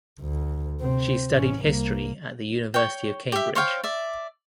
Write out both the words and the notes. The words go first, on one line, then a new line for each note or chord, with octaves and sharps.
She studied history at the University of Cambridge.
D2
C3 C4
A1 C#4
C2 A#3
C#5 G5
G4 E5
C5 C#5 F5 G5
D5 E5